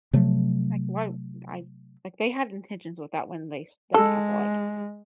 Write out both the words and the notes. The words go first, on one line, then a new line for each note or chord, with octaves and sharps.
Like, why I like, they had intentions with that when they s done it, I feel like.
C3 F3 F#3 A3
G#3 A4